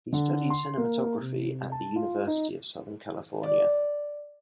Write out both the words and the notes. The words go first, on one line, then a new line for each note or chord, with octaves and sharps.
He studied cinematography at the University of Southern California.
D3
C6
A#3
C3
A5
F4
D#4
D5